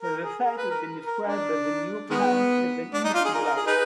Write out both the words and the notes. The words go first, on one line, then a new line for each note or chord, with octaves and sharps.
The site has been described by "The New York Times" as an industry blog.
A#4
G#4
A#4
B4
A#4
A#4
D4
D#3 G#3 B3
D4
D#4
F4
G#4
A#4
A#4
G#4
D#4 G#4 B4